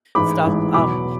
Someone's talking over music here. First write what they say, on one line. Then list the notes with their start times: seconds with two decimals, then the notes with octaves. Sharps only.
stuff, um,
0.15 A1 G#2 E3 G#3 B5 D6
0.45 A1 G#2 E3 G#3
0.74 E2 B2 F#3 B5 D6
1.05 B2